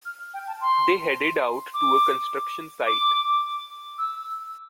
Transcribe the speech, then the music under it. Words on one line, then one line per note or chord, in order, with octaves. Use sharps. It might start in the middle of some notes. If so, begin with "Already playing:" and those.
They headed out to a construction site.
F6
G5
A5
C6
D6
D6
E6